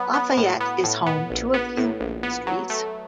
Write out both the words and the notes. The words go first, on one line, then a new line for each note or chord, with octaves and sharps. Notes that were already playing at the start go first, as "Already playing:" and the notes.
Lafayette is home to a few industries.
Already playing: F#3 B3
B3
A2
B3
A2
B3
A#1
B3
A2
A#1
B3
F#3
A3